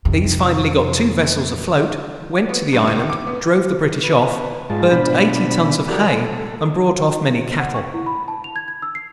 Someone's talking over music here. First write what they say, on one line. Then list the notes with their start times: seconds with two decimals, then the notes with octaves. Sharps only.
These finally got two vessels afloat, went to the island, drove the British off, burnt eighty tons of hay, and brought off many cattle.
0.05 F2 C3
2.49 B3
2.73 G2
2.88 C#2
3.10 D6
3.27 B3
4.03 B4
4.70 G#2 G#3 F4 A5
4.91 B2 D4 B5
5.89 E4 F#4 G4 A4 A#4 D5
6.13 A4
7.60 F#5
7.74 C#6
7.94 E4
8.06 B5
8.28 A5
8.44 F7
8.56 G#6
8.68 G#6
8.82 E6
8.95 C7